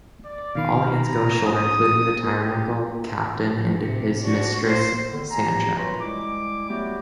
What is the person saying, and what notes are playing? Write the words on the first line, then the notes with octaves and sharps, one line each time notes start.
All hands go ashore, including the tyrannical captain and his mistress Sancha.
D5
B2 D#3 F5 B5
A#5
C#4 D#6
G4
C3
D4 F#4
A#3 C5
E2 D3 D#3
E2 G4 G#5 A#5
F#2 F#3 F4 F#4 B4 C6
G3 G#3 E4 D6
F#3 G3 A3 B3 F#4 G4